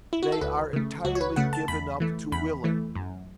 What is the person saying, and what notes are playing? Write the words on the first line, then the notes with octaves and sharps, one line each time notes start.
They are entirely given up to willing.
E4
F#4
A4
C#2 B4
C#3 A3
C#2 F#4
C#5
B4
C#3 A3 F#5
A5
E2 B5
E3 A3
E2 B5
E3 A3
F#2